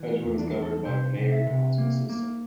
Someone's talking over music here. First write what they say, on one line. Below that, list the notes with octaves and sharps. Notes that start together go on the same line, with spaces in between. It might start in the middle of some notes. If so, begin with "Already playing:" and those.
Edgewood is governed by a mayor-council system.
Already playing: E3
E2
D4
E2
A4
C3 C5
C3
E5
C3
A#3
A#3